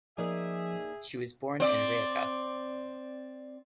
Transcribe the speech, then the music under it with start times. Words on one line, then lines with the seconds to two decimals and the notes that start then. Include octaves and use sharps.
She was born in Rijeka.
0.18 F3 A#3 D#4 G#4 D5 E5
1.60 C4 D5